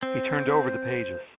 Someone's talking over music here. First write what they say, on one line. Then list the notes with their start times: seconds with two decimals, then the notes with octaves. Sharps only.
He turned over the pages.
0.03 C4 C5